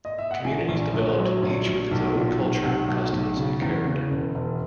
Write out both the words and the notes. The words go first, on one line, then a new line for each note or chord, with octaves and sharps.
Communities developed each with its own culture, customs, and character.
D#5
E5
F#5
A#1 G#5
A#1
A#1
F#3
A#1
A#1
B1
A#2
B1
B1 F#5
B1
B1
C#3
E2
C#3
E1
E1